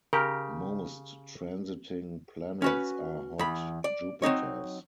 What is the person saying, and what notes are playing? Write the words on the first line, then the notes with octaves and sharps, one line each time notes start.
Most transiting planets are hot Jupiters.
C#3 G4 A#4
C#4 F#4 B4
E2 B5
D5
F#3 C4 D#4 C#5